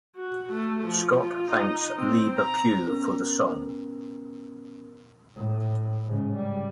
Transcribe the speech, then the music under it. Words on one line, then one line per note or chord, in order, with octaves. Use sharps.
Scott thanks Liebe Pugh for the song.
F#4
A3
F3
F4
D#4
C4
A#5
B3 C#4 A#4
A2
G#2 C#3
G3